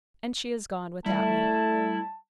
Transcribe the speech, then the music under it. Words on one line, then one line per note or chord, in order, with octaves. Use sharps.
And she is gone without me.
G3 A3 E4 A5